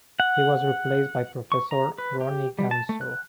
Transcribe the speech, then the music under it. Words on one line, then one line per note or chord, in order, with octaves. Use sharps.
He was replaced by Professor Roni Gamzo.
F#5
C#6
A#5
B4
G4
G3
A5
A3
F#6